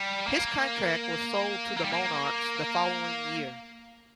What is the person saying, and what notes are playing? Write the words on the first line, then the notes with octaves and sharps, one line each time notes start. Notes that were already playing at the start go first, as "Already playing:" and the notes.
His contract was sold to the Monarchs the following year.
Already playing: G3
A#3
A#3
G3
A#3